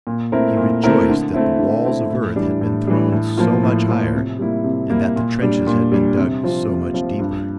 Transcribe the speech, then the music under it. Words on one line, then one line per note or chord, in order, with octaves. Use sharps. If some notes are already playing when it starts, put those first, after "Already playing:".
He rejoiced that the walls of earth had been thrown so much higher and that the trenches had been dug so much deeper.
A#2
A3 C4 E4 A#4
A#2
A3 C4 E4 A#4
D3
A3 C4 E4
D3
A3 C4 E4
A2
E3 G3 D4
A2
E3 G3 D4
A2
F3 A#3 F4
A2
F3 A#3 F4
C3
G3 A#3 E4
C3
G3 A#3 E4
A#2
G3 D4
A#2
G3 D4
C3
F3 C4 F4
C3
F3 C4 F4
G2